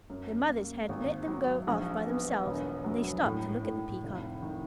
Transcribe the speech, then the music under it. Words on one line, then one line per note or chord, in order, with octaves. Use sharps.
Their mothers had let them go off by themselves, and they stopped to look at the Peacock.
F#2
A#3
G#1
F#3
A#1
B3
E1
F#3
A2
A2
F1
D#3